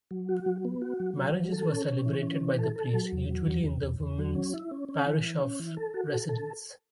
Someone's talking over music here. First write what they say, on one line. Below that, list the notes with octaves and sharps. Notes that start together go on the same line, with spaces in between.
Marriages were celebrated by the priest, usually in the woman's parish of residence.
F#3
F#4
F#3
B3
F#4
F#3
F#3
F#3
A4
C#4
C#4
E3
C#4
E3
A4
A4
F#3
E2
F#3
E2
E2
E2
E2
F#3
C#4
E4
C#4
C#4
E3
E3
C#4
E3
A4
F#4
A4
A4